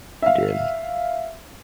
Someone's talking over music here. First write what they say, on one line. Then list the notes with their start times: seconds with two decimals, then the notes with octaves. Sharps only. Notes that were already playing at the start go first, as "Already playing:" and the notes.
It did,
0.22 E5 F5